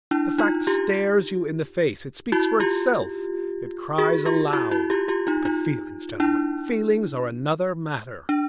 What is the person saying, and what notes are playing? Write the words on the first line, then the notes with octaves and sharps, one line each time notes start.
The fact stares you in the face, it speaks for itself, it cries aloud, but feelings, gentlemen, feelings are another matter.
D4 E4
D#4 F4
F4 G4
E4 F#4
F4 G4
F#4 G#4
F4 G4
E4 F#4
E4 F#4
F4 G4
F4 G4
D#4 F4
D#4 F4
D4 E4
D4